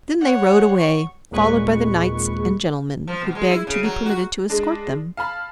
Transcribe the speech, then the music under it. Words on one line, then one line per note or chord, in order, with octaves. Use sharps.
Then they rode away, followed by the knights and gentlemen, who begged to be permitted to escort them.
C#5 F#5
C#6
G#1 D#2 A#2 G#3 B4 C#6
F3
B2
G#3
E4
C#3
F#3
F#4
G#3 D4
F5 A5 B5